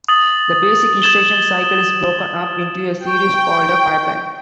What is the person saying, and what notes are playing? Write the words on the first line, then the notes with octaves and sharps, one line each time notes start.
The basic instruction cycle is broken up into a series called a pipeline.
D#6 A6 F#7
D#6 G#6 A6 E7 F#7 G7
G5 C#6